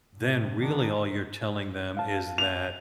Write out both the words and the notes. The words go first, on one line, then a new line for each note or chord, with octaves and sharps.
then really all you're telling them is that
A2 C3
D#3 D4
F5 A5
F7